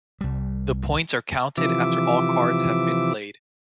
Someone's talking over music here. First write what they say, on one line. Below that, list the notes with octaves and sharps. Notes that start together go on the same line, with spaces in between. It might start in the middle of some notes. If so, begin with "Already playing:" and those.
The points are counted after all cards have been played.
C2 G3
C3 E3 F3 E5 D6